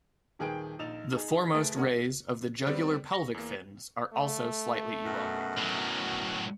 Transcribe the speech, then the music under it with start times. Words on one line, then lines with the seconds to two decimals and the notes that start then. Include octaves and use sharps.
The foremost rays of the jugular pelvic fins are also slightly elongated.
0.39 D#1 D#3 G#4 B4 G5 D7
0.79 A#1 D#4 A6 E7 F7
1.13 D#4 G#4
1.54 A3 G#4 B4 A6 D7
1.74 G#3 B3 C#4 A#4 D#5 F#5
2.67 G3 B3 C4 D5
3.11 C#6 A#6
3.34 E2 A#3
4.13 A3
5.05 F#2 B2 F#5
5.57 A2 F#3